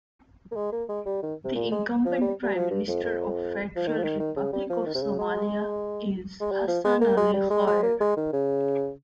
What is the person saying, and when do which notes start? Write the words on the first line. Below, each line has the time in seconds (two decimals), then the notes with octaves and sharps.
The incumbent Prime Minister of the Federal Republic of Somalia is Hassan Ali Khayre.
0.52 A#3
0.56 G#3
0.72 A#3
0.89 G#3
1.06 G3
1.23 D#3
1.45 C3
1.55 A#2
1.72 G#3
2.05 F3
2.21 G3
2.43 G3
2.55 F3
2.70 G2
2.88 F2
3.04 F2
3.76 F3
3.87 D#3
3.98 F3
4.03 D#3
4.20 D#3
4.37 C#3
4.53 G3
4.70 F3
4.86 D#3
4.94 C3
5.03 C#3
5.19 G#3
6.41 G#3
6.51 G3
6.68 F3
6.84 G#3
7.01 A#3
7.17 G#3
7.34 G3
7.50 G#3
7.67 G#3
7.83 A#3
8.00 G#3
8.17 D#3
8.33 C#3